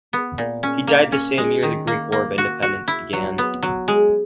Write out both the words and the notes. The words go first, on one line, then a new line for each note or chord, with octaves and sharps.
He died the same year the Greek War of Independence began.
B3
A#2
C#4
A#3
C#4
G#3
D#3
A#3
A#3
F#4
F#4
E4
F#3
B3
F#3
G#3